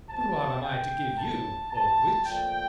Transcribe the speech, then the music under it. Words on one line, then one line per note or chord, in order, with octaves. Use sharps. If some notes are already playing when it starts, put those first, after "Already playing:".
But what am I to give you, old witch?
C3 F3 A3 A5
G5
A2 A3 A5
A5
A#2 F3 A3 G5